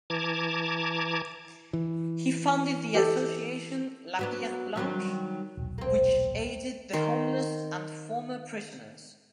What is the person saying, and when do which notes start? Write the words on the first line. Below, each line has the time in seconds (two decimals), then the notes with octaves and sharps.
He founded the association La Pierre Blanche which aided the homeless and former prisoners.
0.10 E3 A5 A#5 D6 G#6
1.73 E3
2.95 G4 A4
4.19 F#3 B3 D4
4.76 D#3 F#3 G3
5.57 D#1 B1
5.78 A#3 C4
6.93 D#3 C5